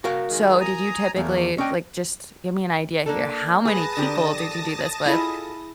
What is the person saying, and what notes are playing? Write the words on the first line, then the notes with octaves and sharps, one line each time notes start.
So, did you typically, like just give me an idea here, how many people did you do this with,
F#4 A#4 F5
D#3 G#3
G#5 A#5 D#6
E2 A3 A#3
C#4 D4 D#5 G5
A#3 D4 A4
G#4 B4 A5 D#6 A#6
D3 G4 A#4
E4 F4 G#4 A4 D#5